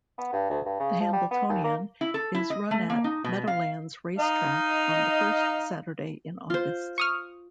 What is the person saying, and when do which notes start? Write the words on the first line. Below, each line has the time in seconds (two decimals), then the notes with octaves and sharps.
The Hambletonian is run at Meadowlands Racetrack on the first Saturday in August.
0.18 B3
0.33 G2
0.50 D2
0.65 G2
0.80 C#3
1.01 F3
1.13 G3
1.31 B3
1.49 D#2
1.64 A#3
2.01 E4
2.14 A4
2.35 E4
2.50 D#5
2.71 A3
2.90 A#3
3.04 D#4
3.24 B2
3.47 F5
4.18 D#4 D#5 F5
6.50 F4 C5
6.98 C#6 D#6 F6